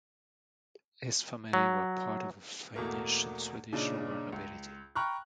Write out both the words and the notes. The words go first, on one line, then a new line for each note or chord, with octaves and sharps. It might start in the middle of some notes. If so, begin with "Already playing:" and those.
His family were part of the Finnish and Swedish lower nobility.
F#3
E2 B2 A3 A#3
A#2 C#3 D4 D#4
C#2
G5 A#5 B5 C#6 F6 F#6